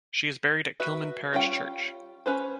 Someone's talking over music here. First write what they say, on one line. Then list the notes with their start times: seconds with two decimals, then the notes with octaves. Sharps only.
She is buried at Kilmun Parish Church.
0.80 F#4 B4 E5
1.33 G3 C#4 F4 G5
2.26 C#4 B4 C5